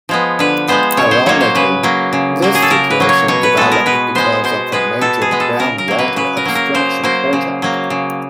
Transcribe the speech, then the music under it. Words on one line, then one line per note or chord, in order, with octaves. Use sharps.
Ironically, this situation developed because of a major groundwater abstraction project.
F3 G#3 B3
D3 B4
F3 G#3 B3 C5
C#3 C#5
C5
F#3 A#3 C#5
C5
C#3 B4
F#3 A#3
C#3
F#3 A#3
G#4
A4
C#3 A#4
B4
F#3 A#3
C#5
B2 C#5
B4
G#3 B3 A4
A#4
B2 B4
G#3 B3 C5
B2 C5
G#3 B3 B4
B2 A4
G#4
G#3 B3
A4
C#3 A#4
A#4
F#3 A#3
B4
C#3 B4
A#4
F#3 A#3
A#4
C#3 C5
F#3 A#3 C5
C#3
F#3 A#3
C#3